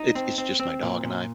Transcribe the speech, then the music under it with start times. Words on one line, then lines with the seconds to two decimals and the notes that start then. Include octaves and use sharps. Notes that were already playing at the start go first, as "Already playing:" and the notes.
it's it's just my dog and I;
Already playing: D#4
0.15 C4
0.38 C4
0.60 C4
0.83 A#2
1.04 A#2